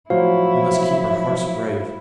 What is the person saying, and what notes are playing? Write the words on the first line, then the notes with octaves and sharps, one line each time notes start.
We must keep our hearts brave.
A2 F3 F#3 E4 F#4 C5 F5